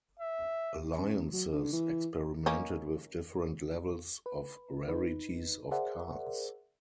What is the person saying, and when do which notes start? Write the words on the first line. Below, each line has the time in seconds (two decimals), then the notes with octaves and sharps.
"Alliances" experimented with different levels of rarities of cards.
0.20 E5
0.98 C#3
1.33 F#3
1.53 D3
1.72 E3
2.46 A#3 C#4 D#4
4.26 B4
4.88 D#4 B4
5.71 G#4 A#4 C5 D5 E5 F#5